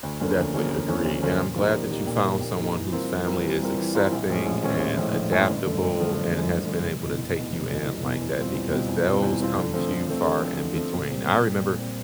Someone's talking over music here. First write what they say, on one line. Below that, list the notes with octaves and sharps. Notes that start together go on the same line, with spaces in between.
Definitely, agree, and I'm glad that you found someone whose family is accepting, and adaptable, and has been able to take you in like that because those come few far in between. I remember
D2
D3 F3 A#3 C#4
D2
D3 F3 A#3 C#4
D2
D3 F3 A#3 C#4
D2
D3 F3 A#3 C#4
A#2
F3 A#3 D#4 G4
A#2
F3 A#3 D#4 G4
A#2
F3 A#3 D#4 G4
A#2
F3 A#3 D#4 G4
E3
G3 C4 F4 A#4
E3
G3 C4 F4 A#4
E3
G3 C4 F4 A#4
E3
G3 C4 F4 A#4
A#1
A2 F3 G#3 C#4
A#1
A2 F3 G#3 C#4
A#1
A2 F3 G#3 C#4
A#1
A2 F3 G#3 C#4
G1
F#2 D3 F3 A3
G1
F#2 D3 F3 A3
G1
F#2 D3 F3 A3
G1
F#2 D3 F3 A3
F1
E2 B2
F1
E2 B2
F1
E2 B2
F1
E2 B2
E2
B2 G3 C4 F4
E2
B2 G3 C4 F4
E2
B2 G3 C4 F4
E2
B2 G3 C4 F4
D3
F3 A3 C4
D3
F3 A3 C4
D3
F3 A3 C4
D3
F3 A3 C4
A#2
G3 C4
A#2
G3 C4
A#2
G3 C4